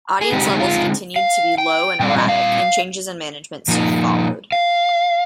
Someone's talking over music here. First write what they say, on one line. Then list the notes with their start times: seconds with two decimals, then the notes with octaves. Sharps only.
Audience levels continued to be low and erratic and changes in management soon followed.
0.21 G#4
0.32 D3 G#3 C4 D#4 G4
0.60 F4
1.16 F5
1.58 G5
2.00 A#2 G3 C4 F4 G5
2.10 F5
2.18 D#5
2.29 F5
3.68 A#2 F3 A#3 D#4
4.52 F5